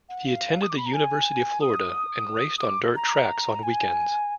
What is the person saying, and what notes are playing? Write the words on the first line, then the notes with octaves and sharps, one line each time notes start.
He attended the University of Florida and raced on dirt tracks on weekends.
F#5
F5
D#6
D6
B5
A#5
G#5
D#6
D#6
D6
A#5
G#5